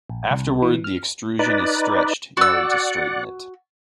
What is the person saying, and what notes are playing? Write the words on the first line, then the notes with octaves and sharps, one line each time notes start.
Afterward the extrusion is stretched in order to straighten it.
A#1
C2
E3
F6
D#4 B4 D5
F#4 D5 F#5 E6